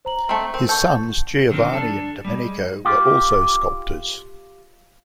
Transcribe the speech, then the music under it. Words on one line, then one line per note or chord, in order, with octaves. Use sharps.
His sons Giovanni and Domenico were also sculptors.
C5 A#5 F#7
A3 C4
C4 A#4
A4 F#5 C#6 G6
D3 D#3 F3 B3 C4
D4 A4
G3 G#3
F4 G4